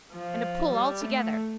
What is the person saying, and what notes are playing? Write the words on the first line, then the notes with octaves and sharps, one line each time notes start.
And a pull all together.
F3
G3
A3